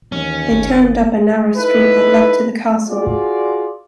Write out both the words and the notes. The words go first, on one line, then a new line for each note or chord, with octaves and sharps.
They turned up a narrow street that led to the Castle.
D#2 E3 C#4
G1
D#4 E4 A4 B4
F4 F#4 G#4 D5